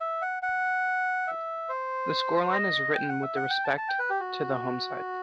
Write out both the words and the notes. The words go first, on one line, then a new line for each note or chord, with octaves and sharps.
The scoreline is written with respect to the home side.
E5
F#5
F#5
E5
C5
D#5
G5
F#5
E5
F#5
G5
A5
A5
G5
B4
G4
F#4